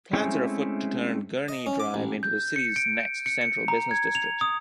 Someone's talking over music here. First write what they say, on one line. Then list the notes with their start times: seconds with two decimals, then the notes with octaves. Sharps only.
Plans are afoot to turn Gurney Drive into the city's next Central Business District.
0.13 G#3 A3 C4 C#4 E4
1.48 D#5
1.66 C#4
1.80 D6
1.94 A1
2.23 G6
2.56 C#7
2.76 D7
3.26 C#7
3.41 C#7
3.68 A#5
3.91 G#6
4.15 F7
4.41 D#6